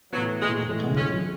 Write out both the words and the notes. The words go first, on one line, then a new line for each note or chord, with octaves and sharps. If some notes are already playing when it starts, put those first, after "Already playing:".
We may come with you?
A2 E3 F#3 B3
G#3
A2 E3 G#3
C#4